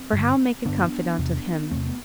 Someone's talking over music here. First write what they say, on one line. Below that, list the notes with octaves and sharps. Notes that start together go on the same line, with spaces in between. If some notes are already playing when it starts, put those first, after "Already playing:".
For how make a confidant of him?
Already playing: C4
G2 D3
G2 D3 B3 D4
E2 C3
E2 C3 A3 C4
B3